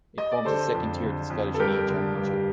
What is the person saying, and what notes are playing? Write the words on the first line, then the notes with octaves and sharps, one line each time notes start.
It forms the second tier of the Scottish League Championship.
D#5
D5
D3 A4 C5
F2
D3
F2
A4
G2 G4 A#4
D3
G2